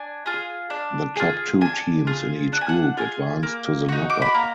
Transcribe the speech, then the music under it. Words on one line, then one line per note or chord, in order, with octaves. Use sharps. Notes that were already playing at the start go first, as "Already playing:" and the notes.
The top two teams in each group advanced to the knockout stage.
Already playing: D4 G#5
F4 G#4
D4
F4 G#4
D4 G#5
F4 G#4
D4 F#5
G#5
F#5
F4 G#4 G#5
A#3
D#4 F#4
D6
B5
A#3 A#5